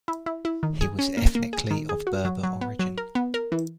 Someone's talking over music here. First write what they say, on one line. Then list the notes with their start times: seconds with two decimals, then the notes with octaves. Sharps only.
He was ethnically of Berber origin.
0.08 E4
0.26 E4
0.45 E4
0.63 D#3
0.81 G#4
0.99 C#4
1.17 A#3
1.35 A#3
1.53 G#4
1.71 D#3
1.89 G#4
2.07 F#4
2.25 F#3
2.43 F#3
2.61 B3
2.79 F#3
2.98 A#4
3.15 B3
3.34 A#4
3.52 E3